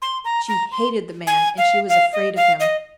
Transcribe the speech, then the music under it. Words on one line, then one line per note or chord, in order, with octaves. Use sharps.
She hated the man, and she was afraid of him.
C6
A#5
A#5
C6
G#5
F5
F5
D#5
F5
D#5